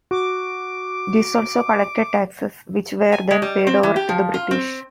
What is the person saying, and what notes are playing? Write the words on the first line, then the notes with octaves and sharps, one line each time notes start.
These also collected taxes, which were then paid over to the British.
F#4 D6
G#5
G#3
G3
C4
E3
G4
F3
F4
C4